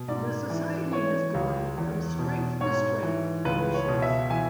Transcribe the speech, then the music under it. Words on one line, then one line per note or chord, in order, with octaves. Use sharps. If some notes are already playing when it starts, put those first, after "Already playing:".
The society has gone from strength to strength ever since.
Already playing: B2
G#2 D5
E3
E3 C#5
C#2
E2
B2
G#2 C#5
E3
C#2 B4
C#5
B2
E5
E3 G#5